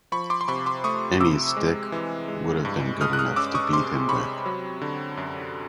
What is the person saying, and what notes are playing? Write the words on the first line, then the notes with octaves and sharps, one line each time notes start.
Any stick would have been good enough to beat him with.
F3 B5 C#6
C6 D6
C6
C3 B5 C#6
C6 D6
A3 C#6 D#6
C3 D6 E6
G#3
E3
G#3
G2
G#3 D#6 F6
F#6
D#6 F6
C#4 D6 E6
C#6 D#6
C3 C6 D6
C3 B5 C#6
F#3
D3
F#2